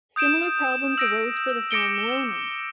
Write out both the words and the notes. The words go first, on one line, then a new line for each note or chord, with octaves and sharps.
Similar problems arose for the film "Ronin".
D#6 G6 D7 E7
E6 A#6 D7
D6 A#6 C#7 D7 G7